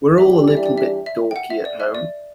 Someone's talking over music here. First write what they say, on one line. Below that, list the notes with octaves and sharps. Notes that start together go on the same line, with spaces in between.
We're all a little bit dorky at home.
E3 G3 D4 G4 E5
D5
E5
D5
E5
E5
G5
F#5
E5
D5
E5
D5